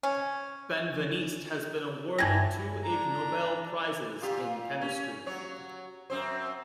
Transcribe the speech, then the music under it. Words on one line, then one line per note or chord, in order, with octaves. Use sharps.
Benveniste has been awarded two Ig Nobel Prizes in Chemistry.
C#4
G2 E3 G3 G#6 A#6
D4 A#5
A#2 F4 G4
C#4
F#3 C#5
F#2 C4 C5